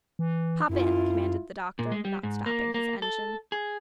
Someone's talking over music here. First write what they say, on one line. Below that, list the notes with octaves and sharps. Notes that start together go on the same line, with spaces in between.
"Hop in," commanded the doctor, not stopping his engine.
E3
F#2 E4 F4
A#2
G#3
G3
G#2
A#3
A#3
A4
G#4